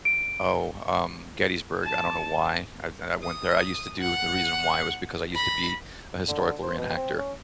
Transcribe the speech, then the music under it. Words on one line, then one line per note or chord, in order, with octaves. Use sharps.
oh, um, Gettysburg. I don't know why I've and I went there. I used to do the reason why was because I used to be a historical reenactor,
D7
A5
D#6
F#5
B5 A#6
D3
C5
B2
C4
C#4